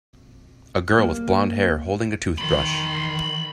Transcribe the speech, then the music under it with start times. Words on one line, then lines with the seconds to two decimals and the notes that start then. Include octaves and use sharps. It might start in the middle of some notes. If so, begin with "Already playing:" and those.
A girl with blondhair holding a toothbrush.
0.98 A#3
2.38 D#3 E3 B5 C6